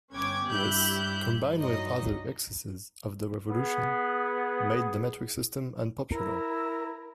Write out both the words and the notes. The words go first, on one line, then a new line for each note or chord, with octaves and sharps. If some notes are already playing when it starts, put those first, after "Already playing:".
This, combined with other excesses of the Revolution made the metric system unpopular.
G1 B3 C#4 G5 D6 G#6
G2 E4 G4 F#6 G6
G2 F#3 D#4 D#5
B3 G#4
E4 A#4